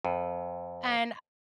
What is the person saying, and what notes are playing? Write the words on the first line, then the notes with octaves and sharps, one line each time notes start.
And I
F2